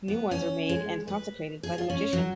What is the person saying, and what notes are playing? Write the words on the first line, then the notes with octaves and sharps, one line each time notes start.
New ones are made and consecrated by the magician.
B3
C#4
G#3
B4
G#4
F4
C#4
F#3